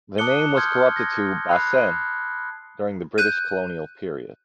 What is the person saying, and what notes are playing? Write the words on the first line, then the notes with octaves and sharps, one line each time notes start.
The name was corrupted to "Bassein" during the British colonial period.
A5 D6 D#6 F#6 C#7 G7
C6 D#6 F6 G6 G#6
G#6 A#6
B5 F#6 C7
F#6 G6 D#7